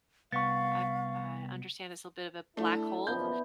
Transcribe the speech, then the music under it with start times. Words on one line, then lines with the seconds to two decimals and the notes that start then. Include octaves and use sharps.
I I understand it's a bit of a black hole,
0.32 C2 B3 F5 C#6 A6
2.57 A3 D4 E4 A4
3.07 F#1 D#2 F3 B3 E4 G6